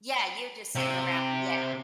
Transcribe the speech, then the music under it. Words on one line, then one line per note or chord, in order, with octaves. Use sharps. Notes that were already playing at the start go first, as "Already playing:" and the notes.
Yeah you're just sitting around, yeah.
C3